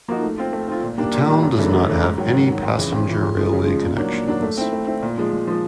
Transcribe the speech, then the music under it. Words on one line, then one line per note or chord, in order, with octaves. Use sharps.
The town does not have any passenger railway connections.
F3 A#3 D#4 F#4
A3
C4 F4
A3
C4 F4
A#2
G3 A#3 D4
A#2
G3 A#3 D4
F#2
C#3 E3 A3 D4
F#2
C#3 E3 A3 D4
G#2
D#3 F#3
G#2
D#3 F#3
F2
C#3 E3
F2
C#3 E3
C#3
F3 G#3
C#3
F3 G#3
A#2
F#3 A#3 D4
A#2
F#3 A#3 D4
A3
C4 E4
A3
C4 E4
A#2
F3 G#3
A#2
F3 G#3